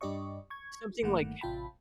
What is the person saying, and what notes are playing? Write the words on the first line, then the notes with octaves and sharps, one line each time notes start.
something, like,
G2 D4 G4 D5 D#5 C#6
C#6 G#6
G1 G2 D#3 A3 A#3 F#5
A1 C3 F4 G5 A5 B5